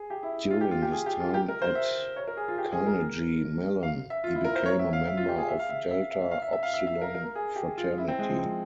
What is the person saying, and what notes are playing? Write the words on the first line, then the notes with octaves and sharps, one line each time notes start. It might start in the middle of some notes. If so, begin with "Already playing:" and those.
During his time at Carnegie Mellon, he became a member of Delta Upsilon fraternity.
Already playing: G#4
G4
E4
F4
G4
F4
G4
G#4
G4
F4
G4
A#4
C5
E5
C#5
A#4
G#4
F4
G4
G#4
A#4
F5
E5
F4
E4
A#4
C5
C#5
E5
F5
E5
F4
G4
G#4
E5
F5
E5
E5
E5
E5
F5
E5
E5
F5
E5
E5
A#4
A#4
G#4
G4
F4
E4
C4
G#3
F3
C4